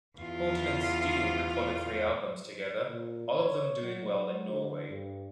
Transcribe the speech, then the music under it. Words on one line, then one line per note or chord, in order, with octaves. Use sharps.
Holton and Steel recorded three albums together, all of them doing well in Norway.
E2 F4
A#2
C#5
F#3
D3
G2